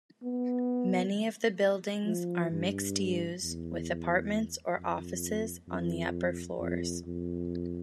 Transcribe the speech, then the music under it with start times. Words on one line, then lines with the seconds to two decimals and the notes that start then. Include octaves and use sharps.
Many of the buildings are mixed-use, with apartments or offices on the upper floors.
0.23 B3
2.05 F3
2.51 G2
3.41 E2
4.77 F2
5.68 F2
6.59 F2
7.05 F2